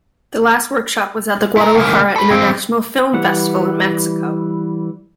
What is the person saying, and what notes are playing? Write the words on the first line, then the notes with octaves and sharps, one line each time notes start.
The last workshop was at the Guadalajara International Film Festival in Mexico.
E4 A#4
C#2 A#3
A4 B4
G2 C4
E3 G3 F#5